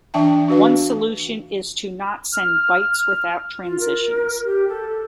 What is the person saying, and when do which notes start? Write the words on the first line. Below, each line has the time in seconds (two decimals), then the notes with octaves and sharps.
One solution is to not send bytes without transitions.
0.14 E3 D4 E5 G5 A5
0.48 D4 F#4 B4 F5
2.32 F6
3.64 F4
3.80 A#4
4.45 G4
4.69 A4